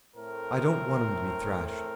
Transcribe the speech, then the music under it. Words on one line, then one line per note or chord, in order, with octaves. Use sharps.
I don't want him to be thrashed.
A2 A3 C4 A#4
A#4